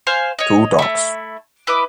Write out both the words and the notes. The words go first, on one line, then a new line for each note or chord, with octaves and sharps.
Two dogs.
C5 F5 G#5 C6
C#5 D#5
A3 E4
E4 B4 D#5 D6